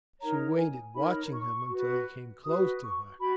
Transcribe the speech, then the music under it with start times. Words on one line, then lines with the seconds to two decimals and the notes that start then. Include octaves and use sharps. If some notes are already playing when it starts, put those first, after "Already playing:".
She waited, watching him, until he came close to her.
0.20 D#4 A#4 C#5 A#5
0.57 G#5
0.95 D#4 A#4 C#5 B5
1.32 C#6
1.70 F#4 B4
2.45 F#4 B4 D#6
2.83 C#6
3.20 F#4 B5